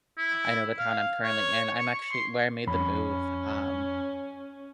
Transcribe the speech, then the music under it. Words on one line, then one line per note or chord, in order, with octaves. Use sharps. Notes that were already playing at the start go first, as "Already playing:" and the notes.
I know the town I'm currently in I'm actually where I made the move, um,
E4
F5
C#5
C#6
C6
F2 C#4 B5